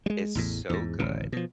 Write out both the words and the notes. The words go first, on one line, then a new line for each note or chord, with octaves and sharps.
is so good,
G3 G#3
A1 E2 A2
E2 G#2
D1 A1 C#3
B2 F3